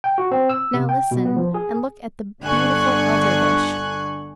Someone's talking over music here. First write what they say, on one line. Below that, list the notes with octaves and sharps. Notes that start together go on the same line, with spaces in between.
Now listen, and look at the beautiful Elderbush.
G5
F#4
C4
E6
C3
G5
B2
B3
F3
G#4
G1 D3 G#5 C#6 F#6